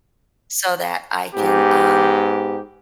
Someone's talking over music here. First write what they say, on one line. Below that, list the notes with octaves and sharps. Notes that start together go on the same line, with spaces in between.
so that I can, um
G#2 B3 G4